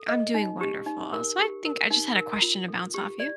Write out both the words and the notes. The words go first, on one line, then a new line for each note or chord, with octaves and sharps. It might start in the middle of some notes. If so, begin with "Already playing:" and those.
I'm doing wonderful so, I think I, just, had a question to bounce off you.
Already playing: A4
D#5
D#4
G4
D#4
A#4
G4
A#4
D#4
A#4
F4
A4
G4
D5